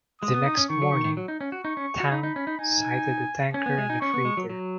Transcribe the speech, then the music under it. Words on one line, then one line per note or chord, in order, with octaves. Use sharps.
The next morning, "Tang" sighted a tanker and a freighter.
G#3 D#6
B3
D#4
C#4
D#3 C#6
F#3
D#3
D#3
F#3
D#4
C#4
F#4
D#4 C#6
C#4
F#4
D#4 B5
D#4
C#4
D#4
D#4 G#5
C#4 G#5
B3
G#3
D#4
C#4 C#6
B3
G#3
F#3
F#3